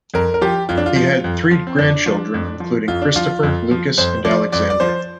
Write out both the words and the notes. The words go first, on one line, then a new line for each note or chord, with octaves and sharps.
He had three grandchildren including Christopher, Lukas, and Alexander.
F2 A#4
A#4
F3 G4
F2 F4
D4
F4
F3
F2
F3
C4
F2 D4
F3
F2
F3
F2 F4
D4
F3 F4
F2
F3
F2 C5
F3 D5
F2 D5
D5
F3 C5